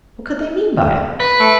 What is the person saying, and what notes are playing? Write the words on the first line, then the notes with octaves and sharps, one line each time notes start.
What could they mean by it?
B4
A3